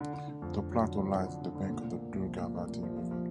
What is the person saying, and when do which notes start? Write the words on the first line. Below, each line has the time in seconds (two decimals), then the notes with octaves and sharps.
The plateau lies at the bank of the Durgavati River.
0.01 D3
0.14 D3
0.28 D3
0.42 F2
0.56 F2
0.71 F#3
0.85 D3
0.99 F2
1.13 D3
1.27 D3
1.42 D3
1.55 D3
1.70 A#2
1.84 A#2
1.98 A#3
2.12 C2
2.26 F3
2.41 A#2
2.55 A#3
2.69 A#2
2.83 F3
2.97 F3
3.11 F3